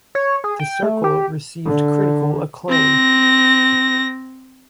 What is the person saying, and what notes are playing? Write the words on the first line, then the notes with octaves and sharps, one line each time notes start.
"The Circle" received critical acclaim.
C#5
G#4
G5
A3
G4
D3
C4 A#6